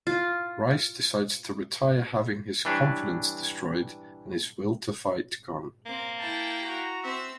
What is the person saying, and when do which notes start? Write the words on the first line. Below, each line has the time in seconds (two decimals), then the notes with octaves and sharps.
Reiss decides to retire having his confidence destroyed and his will to fight gone.
0.07 F4
2.65 E3 G3 D4 B4 C#5
5.86 A#3 C4 D6
6.19 E4 G5 A5
6.63 F#4 A#5
7.04 C4 E5 E6